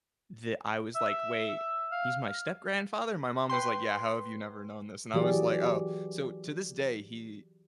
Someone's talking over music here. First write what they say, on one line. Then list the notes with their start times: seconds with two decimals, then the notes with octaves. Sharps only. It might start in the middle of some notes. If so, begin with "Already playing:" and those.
that I was like, "Wait, he's my step-grandfather?" My mom was like, "Yeah, how have you never known this?" And I was like, "Oh," so to this day, he
0.96 E5
1.91 F5
3.50 B4 G5 C6
5.14 E3 F#3 G4 G#4 D5